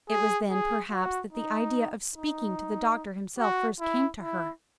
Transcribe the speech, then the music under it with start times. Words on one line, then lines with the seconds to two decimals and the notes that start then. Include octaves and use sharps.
It was then, perhaps, that the idea of speaking to the doctor himself first came to her.
0.09 G#4
0.51 G#4
0.91 F#4
1.33 D#4
2.16 D#4
3.39 F#4
3.80 E4
4.22 E4